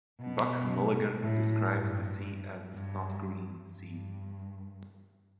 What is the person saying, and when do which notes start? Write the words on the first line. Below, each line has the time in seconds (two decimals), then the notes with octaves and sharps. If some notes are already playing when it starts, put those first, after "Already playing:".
Buck Mulligan described the sea as The snotgreen sea.
0.20 B2
1.21 A2
1.71 G2
2.71 G2
3.72 G2